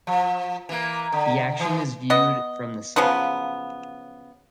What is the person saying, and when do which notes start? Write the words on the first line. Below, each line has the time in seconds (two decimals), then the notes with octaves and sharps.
The action is viewed from the side.
0.07 F3
0.69 E3 A#3
1.12 D3
1.60 E3
2.10 B3 D#5
2.96 C#3 F3 F#3 B3